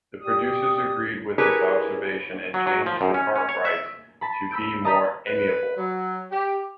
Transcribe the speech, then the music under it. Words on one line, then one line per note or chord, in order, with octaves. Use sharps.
The producers agreed with this observation and changed the Cartwrights to be more amiable.
G4 D5 D#6
E4 G4 G#4 A#4 B4 C#5
F#3
F#3
F3
F#2
C#4
C#4
C#5
E5
A5 B5
B5 E6 G6 D7
D#5 A5 A#5 D#6 G6 B6
B4
F#3
G4